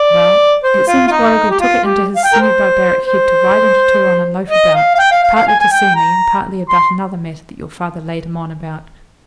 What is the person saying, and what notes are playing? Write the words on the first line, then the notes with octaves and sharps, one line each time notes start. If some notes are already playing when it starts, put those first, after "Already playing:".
Well, it seems Warrigal took it into his semi-barbaric head to ride into Turon and loaf about, partly to see me, and partly about another matter that your father laid him on about.
Already playing: D5
C5
F4
F4
D#4
G4
F4
G4
F5
G5
A#4
C5
C5
D#5
F5
F5
G5
F5
F5
F5
G#5
G#5
G5
A#5
C6